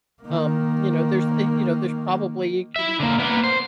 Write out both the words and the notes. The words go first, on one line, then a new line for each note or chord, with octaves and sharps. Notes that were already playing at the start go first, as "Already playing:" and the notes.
um, you know, there's uh, you know, there's probably you can m
D#3 A#3
E4 E5
D3 A#3
A#3 B3
C5